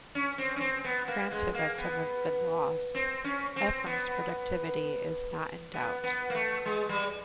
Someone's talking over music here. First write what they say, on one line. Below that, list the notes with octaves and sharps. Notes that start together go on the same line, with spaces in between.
Granted that some have been lost, Ephrem's productivity is not in doubt.
C#4
C4
C#4
C4
B3
A#3
G#3
A#3
B3
C4
C#4
C4
B3
B3
B3
A#3
A3
G#3
G3